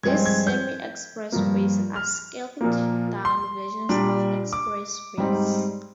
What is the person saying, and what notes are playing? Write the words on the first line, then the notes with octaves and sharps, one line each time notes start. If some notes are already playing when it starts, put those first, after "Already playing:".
These semi-expressways are scaled down versions of expressways.
G2 F3 G#3 C4 G#6
G#6
G6
G2 F3 A#3
F6
A#2 F3 A#3
C6
A#2 G3 D4
D6
G#2 G3 C4 D#4